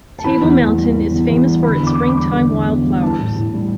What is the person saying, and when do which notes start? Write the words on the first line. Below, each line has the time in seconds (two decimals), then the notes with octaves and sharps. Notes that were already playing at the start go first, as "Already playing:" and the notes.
Table Mountain is famous for its springtime wildflowers.
0.19 A5
0.24 E3 B5
0.42 E2
0.59 E2
0.77 G3
0.93 E3
1.11 E2
1.28 E2
1.45 G3
1.63 D3 B5
1.80 E2
1.87 D6
1.98 E2 B5
2.09 D6
2.15 G3
2.33 D3
2.50 E2
2.67 E2
2.85 G3
3.02 E3 A5
3.19 A2
3.36 A2
3.54 G3